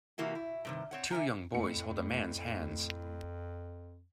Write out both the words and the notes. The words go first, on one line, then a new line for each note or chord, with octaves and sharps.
Two young boys hold a man 's hands.
C3 E3 A#3 E4 F#4
E4
G2 C3 D#3
C4 C#5 F#5
D3 E5 G#5 A#5
F2 A2 C#7